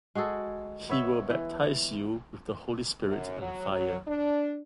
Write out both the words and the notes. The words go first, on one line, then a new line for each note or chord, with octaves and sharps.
He will baptize you with the Holy Spirit and fire.
G#3 F#4 G#4 A4
B3 C#5 E5
E3
F#2
F#3
F#3
D4